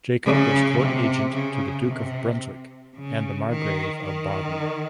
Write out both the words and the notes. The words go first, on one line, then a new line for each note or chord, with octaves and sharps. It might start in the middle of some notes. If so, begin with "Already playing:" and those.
Jacob was court agent to the Duke of Brunswick and the Margrave of Baden.
C#3
C3
C#3
C3
C#3
D#3
D#3